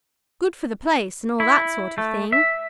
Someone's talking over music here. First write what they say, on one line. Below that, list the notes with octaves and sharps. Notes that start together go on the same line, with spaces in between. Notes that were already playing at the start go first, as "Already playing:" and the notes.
"Good for the place--and all that sort of thing."
E4
A3
E5